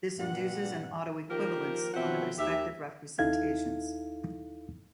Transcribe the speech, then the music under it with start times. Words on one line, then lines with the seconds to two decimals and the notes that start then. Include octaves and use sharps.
This induces an autoequivalence on the respective representations.
0.18 G2 A#2 F#5
1.30 D#3 F3 A#3 G4 A#4
1.94 B2 F3 F#3 C4 E5 F#5
2.38 D#2 G4 E5
3.19 D#2 D#4 E4 A4 F5 G#6